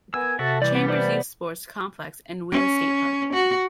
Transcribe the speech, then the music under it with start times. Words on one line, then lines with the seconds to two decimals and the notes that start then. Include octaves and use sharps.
Chambers Youth Sports Complex and Wheeling Skate Park.
0.14 B3 A#4 G#5 E6
0.39 C3 F#4 A4 E5 A5
0.62 E3 G3 D5
0.75 B3
0.88 B3 C5 D5
2.51 C#4
3.33 F#4